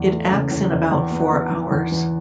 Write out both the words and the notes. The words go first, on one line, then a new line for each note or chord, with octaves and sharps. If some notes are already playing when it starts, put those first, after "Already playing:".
It acts in about four hours.
Already playing: E2 E3
A3
C#3
E2
E2
E2 G5
B3
F#5
B3
E3
E2
E3